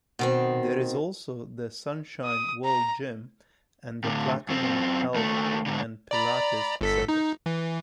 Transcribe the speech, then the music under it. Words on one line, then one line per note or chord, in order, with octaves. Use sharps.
There is also the Sunshine World Gym and the Platinum Health and Pilates centre.
B2 D#3 C4
D#6
A#5
A2 D3
F#2 C4
D#2 A3
G#2 D3
D5 A#5 B5
G1 A4 B6
D#4
E3